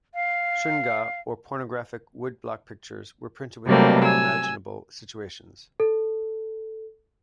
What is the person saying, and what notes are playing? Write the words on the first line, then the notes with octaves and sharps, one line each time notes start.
Shunga or pornographic wood-block pictures were printed with all imaginable situations.
F5
C3 F#3 G3 A3 A#3 C4
G#5 E6
A4